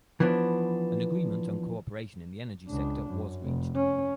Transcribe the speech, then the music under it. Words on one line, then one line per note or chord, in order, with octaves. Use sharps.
An agreement on cooperation in the energy sector was reached.
E3 F3 B3 D4
C#2 D4
F#2
F1
C#4